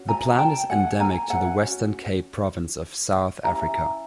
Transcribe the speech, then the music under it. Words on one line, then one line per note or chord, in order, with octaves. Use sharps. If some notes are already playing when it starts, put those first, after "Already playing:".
The plant is endemic to the Western Cape province of South Africa.
Already playing: C#4 F#4
G#5 A#5
G5 A5
F#5 G#5
G#5 A#5
F#5 G#5
C#4 F#4
C#4 E4 G4 G#5 A#5